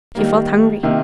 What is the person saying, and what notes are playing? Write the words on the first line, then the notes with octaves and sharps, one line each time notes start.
She felt hungry.
D#3 G3 A#3
C3 D#3 A#3